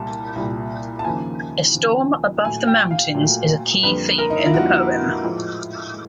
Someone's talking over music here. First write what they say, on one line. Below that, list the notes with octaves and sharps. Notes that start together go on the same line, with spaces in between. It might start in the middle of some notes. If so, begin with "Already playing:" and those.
A storm above the mountains is a key theme in the poem.
Already playing: C2 A#2 G3 A5
C2 A#2 G3
A5
D#2 C#3 F3 A#3 G#5
D#2 C#3 F3 A#3
A#2 F#3 A3 G#5
G5
F5
A#2 F#3 A3
F2 D3 G3 A#3 B4
A#4
D#4
E4
F4
F2 D3 G3 A#3 F#4
A2 F3 G#3 F4
G#3